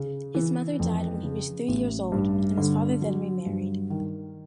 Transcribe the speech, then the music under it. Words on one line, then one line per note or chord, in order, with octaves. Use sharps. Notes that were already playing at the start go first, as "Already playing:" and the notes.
His mother died when he was three-years-old, and his father then remarried.
Already playing: C#3
E3
F2
C#3
A1
G2
D3
F#3
G2
D#3